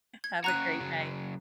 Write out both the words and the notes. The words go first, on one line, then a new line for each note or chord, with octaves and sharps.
Have a great night.
G#6
C#3 F#4 A#5 F#6 D#7
C#3 F#3